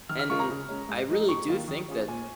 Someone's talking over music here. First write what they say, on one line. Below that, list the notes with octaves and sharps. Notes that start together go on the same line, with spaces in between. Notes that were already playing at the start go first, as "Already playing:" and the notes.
And I really do think that
D#3 F6
F6
G#3 F4 A#4 C#6
A#5
C#3
G#3 C#4
G#2
F3 G#3 D#4
F2 C#6
D#3 A#3 F4 A#4
D#3
C#4 F4 G#4
A#2 G#5